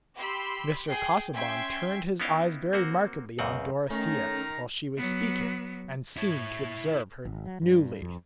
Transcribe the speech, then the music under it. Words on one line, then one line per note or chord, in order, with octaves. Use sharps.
Mr. Casaubon turned his eyes very markedly on Dorothea while she was speaking, and seemed to observe her newly.
G4 B5 C6 E6
G#4 G5 C7
C#4 E5 G5 C6 G#6
B3 C#4 D#4 E4 F5 G5
A#3 C4 F#4
C#2 F#2 C#3 C4 F#5
D#3 A3 C#4 A#5
F#3 B3
E4 C#5
G#1
F#3
G2
F2